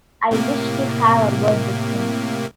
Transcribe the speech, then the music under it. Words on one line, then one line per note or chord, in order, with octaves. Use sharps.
I wish to have a word with him.
A2 C3 A#3